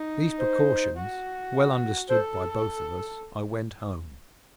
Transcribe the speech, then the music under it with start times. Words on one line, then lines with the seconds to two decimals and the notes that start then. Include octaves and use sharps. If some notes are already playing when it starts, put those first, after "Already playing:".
These precautions well understood by both of us, I went home.
Already playing: D#4
0.39 C5
0.97 F#4
2.09 A4 C5